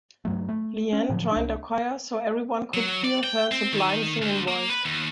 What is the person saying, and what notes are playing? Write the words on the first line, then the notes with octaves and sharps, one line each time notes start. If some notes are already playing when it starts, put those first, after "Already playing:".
Leanne joined a choir so everyone could hear her sublime singing voice.
G2 F#3 A3
A3
C#4
A2 D3 F3 F#3
C2 D4
F#3
D5
G5
C4
D#3
D2
A#3
B4
D#2